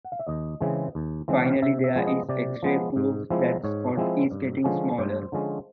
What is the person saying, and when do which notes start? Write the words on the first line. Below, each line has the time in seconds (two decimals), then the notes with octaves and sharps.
Finally, there is x-ray proof that Scott is getting smaller.
0.05 F#5
0.12 F5
0.19 E5
0.27 D#2 D#5
0.61 C#3 E3 G#3 C4
0.95 D#2
1.28 C#3 E3 G#3 C4
1.62 C3 E5
1.84 E5
1.95 F3 G#3 B3
2.07 D#5
2.29 C3 D5
2.63 F3 G#3 B3
2.96 G#2
3.30 F3 G#3 C4 E4
3.64 G#2 C#5
3.97 F3 G#3 C4 E4
4.31 G2
4.64 D3 F3 G#3 C#4
4.98 G2 C5
5.32 D3 F3 G#3 C#4